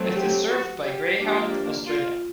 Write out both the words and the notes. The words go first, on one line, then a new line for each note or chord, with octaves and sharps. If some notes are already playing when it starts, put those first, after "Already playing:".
It is served by Greyhound Australia.
Already playing: F#3 A3 C4
G4
F#4
G4
F3 A#3 D4 G4
F4